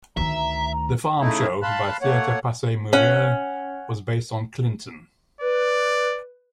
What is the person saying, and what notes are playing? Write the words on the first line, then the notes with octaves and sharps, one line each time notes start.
"The Farm Show" by Theatre Passe Muraille was based on Clinton.
D2 D#3 E5 A#5
C#3 A3 D#4 E4
F5 A5 B5 C6 F#6
A3 A#3 C#5 F#5
C#4 F#5
B4 D5